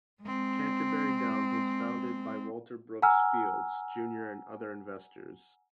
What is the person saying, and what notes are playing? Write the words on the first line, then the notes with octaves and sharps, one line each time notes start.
Canterbury Downs was founded by Walter Brooks Fields, Junior and other investors.
G#3 C4
F#5 G#5 A#5 E6 F6